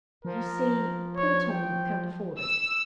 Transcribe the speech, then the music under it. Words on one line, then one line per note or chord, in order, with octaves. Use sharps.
"You see, poor Tom can't afford it."
F3 A#4
C#5
G5
E6